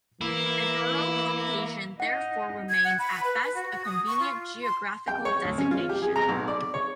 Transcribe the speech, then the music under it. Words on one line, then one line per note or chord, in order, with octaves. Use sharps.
"Ibero-Caucasian" therefore remains at best a convenient geographical designation.
E3 A#3 E4
D#4 F#5
G#6
F#5
B5
B4
B4
F#4
F#4
D#6
C#6
F4
C6
G5
C#5
D2
C#4
F4
G4
G#4
A#5
B1
D5
C#5